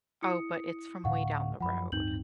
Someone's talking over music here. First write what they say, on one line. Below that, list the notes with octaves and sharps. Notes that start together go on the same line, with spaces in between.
Oh, but it's from way down the road.
E4 D#6 C#7
D1 A2 D3 F5 F#5 C#6
F#2 F3 F#5 B5
D1 G2 C4 D#4 G6 F#7